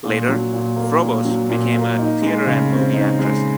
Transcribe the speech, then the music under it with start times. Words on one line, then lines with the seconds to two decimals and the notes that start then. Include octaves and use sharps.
Later, Froboess became a theatre and movie actress.
0.04 A#2
0.29 F#3
0.52 A#2
0.76 A#3
1.01 A#2
1.25 F#3
1.49 A#2
1.74 A#3
1.98 D#4
2.22 G#3
2.47 C#3
2.70 C4
2.94 D#4
3.19 G#3